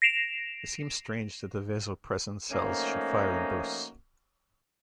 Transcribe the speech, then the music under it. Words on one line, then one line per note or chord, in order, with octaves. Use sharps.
It seemed strange that the vasopressin cells should fire in bursts.
A#6 C7 D7 E7 F7
F3 A3 A#3 C#4 D#4 F#4